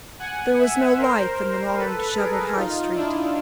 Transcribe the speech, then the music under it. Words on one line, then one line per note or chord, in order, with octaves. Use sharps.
There was no life in the long, disheveled High Street.
F#5 G#5
E5 F#5
A#4 C5
A4 B4
G#4 A#4
D#4 F4
D4 E4